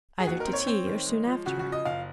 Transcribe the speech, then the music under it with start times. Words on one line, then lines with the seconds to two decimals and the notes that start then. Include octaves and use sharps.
'Either to tea or soon after.
0.20 G#4
0.27 D#2 F#4
0.40 A#4
0.47 C4
0.53 C#5
0.67 C4
0.86 D#3
1.06 G#3
1.26 F3
1.46 C#3 F#4
1.59 F#4
1.66 F3
1.72 D#5
1.85 F#1 F5